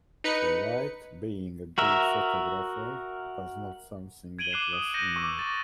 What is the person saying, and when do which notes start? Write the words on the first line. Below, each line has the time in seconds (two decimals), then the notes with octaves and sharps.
For White, being a good photographer was not something that was innate.
0.24 D#4 B4 C#7
1.78 F#4 A#4 E5
4.39 G#6 D7 D#7 F#7 G7
4.51 D6 F#6 C7 D#7 E7
4.73 D#6
4.94 G6 A#6 C#7 D#7
5.16 C#6 D6 E6
5.39 C#6 D6 A6